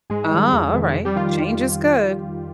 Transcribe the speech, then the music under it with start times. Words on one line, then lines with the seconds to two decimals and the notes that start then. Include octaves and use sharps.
Oh, alright, change is good.
0.10 G#2 G#3 G#4
0.31 D#3 G3
0.52 F2
0.74 C3 D#3 G#3
0.94 F2
1.05 G3 G4
1.16 D#3 G3 F4